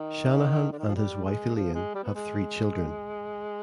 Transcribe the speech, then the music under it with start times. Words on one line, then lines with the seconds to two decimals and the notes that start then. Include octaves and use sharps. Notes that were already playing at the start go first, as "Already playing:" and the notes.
Shanahan and his wife Elaine have three children.
Already playing: D#3
0.72 D3
0.79 D#3
0.87 F3
0.95 G3
1.25 G#3
1.55 F3
1.74 G#3
1.95 G3
2.04 B3
2.14 G#3